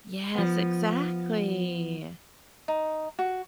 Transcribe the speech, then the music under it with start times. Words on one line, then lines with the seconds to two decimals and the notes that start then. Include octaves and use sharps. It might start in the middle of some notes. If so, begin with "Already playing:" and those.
Yes, exactly.
0.35 F3 B3
2.68 D#4
3.19 F#4